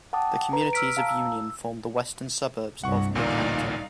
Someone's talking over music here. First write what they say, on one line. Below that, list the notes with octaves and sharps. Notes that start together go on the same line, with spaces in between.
The communities of Union form the western suburbs of Binghamton.
F#5 G5 A5 D6 D#6
B4 A#5
E6 F6 B6 D7
F5 A5 A#5
E6
C2 G2 F#5 C#6
A1 D2 A#2 D#4 D5 F5